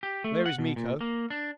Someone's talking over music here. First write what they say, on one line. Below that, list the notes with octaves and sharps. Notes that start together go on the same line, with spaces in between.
"Where is Miko?"
G4
A3
F#5
B2
A#2
A#3
D4